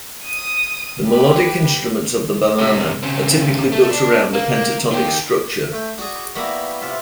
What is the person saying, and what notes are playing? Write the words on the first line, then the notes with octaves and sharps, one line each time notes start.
The melodic instruments of the Bamana are typically built around a pentatonic structure.
D#6 D#7
G4 B4
C3 G#3
C#3 C4
A3
D4
A#3
D#3 G4
A3 G5
F#4 G#4 D5
G3 A#3 B3 E4 F#4
C3 F4 E5